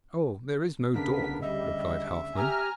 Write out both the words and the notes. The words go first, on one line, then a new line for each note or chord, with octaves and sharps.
'Oh, there is no door,' replied Halfman.
D2 C#3 B3 D4 A#4 B6
G3 D#5 E5
G4 G#5 A#5 F6